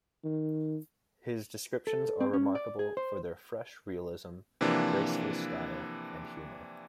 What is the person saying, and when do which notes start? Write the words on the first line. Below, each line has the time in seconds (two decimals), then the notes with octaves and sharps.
His descriptions are remarkable for their fresh realism, graceful style and humour.
0.24 D#3
1.87 A4
2.21 C4
2.33 C#4
2.55 D5
2.79 G#4
2.97 C5
4.61 C3 E3 F3 A#3 D4